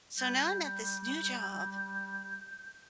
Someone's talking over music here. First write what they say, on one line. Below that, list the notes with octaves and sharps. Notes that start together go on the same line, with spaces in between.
So now I'm at this new job,
G3 G6